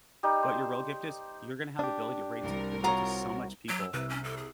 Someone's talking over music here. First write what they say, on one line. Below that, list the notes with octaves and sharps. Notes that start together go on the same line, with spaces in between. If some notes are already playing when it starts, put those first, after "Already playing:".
What your real gift is, you're gonna have the ability to ratel relate to so much people
G3 D#4 G4 B5
C5
D4 G4
C2 A#4
F4 F#4 C#5 A#5 D#6
F#3
E6
C2 B4
C#4
A4
G#4